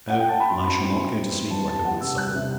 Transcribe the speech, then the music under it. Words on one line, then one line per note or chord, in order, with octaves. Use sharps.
No; I shall not go to sleep like a good soul.
F#5
G5
A5
B5
F#2 C6
C4 B5
C4
C4
G2
E3
G2 A5
G2 A5
G3 F#5
C3 E6
G3 F#6
C3